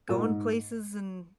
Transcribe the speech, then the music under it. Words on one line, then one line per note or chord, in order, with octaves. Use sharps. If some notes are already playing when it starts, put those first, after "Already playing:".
going places and,
A#2
G#2